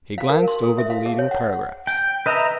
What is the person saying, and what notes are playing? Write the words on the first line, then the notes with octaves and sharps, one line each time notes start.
He glanced over the leading paragraphs.
F5
A#4
C6
A4
E5
F5
G#4
C#5
F#5
G5
B4 D#5 E5 A#5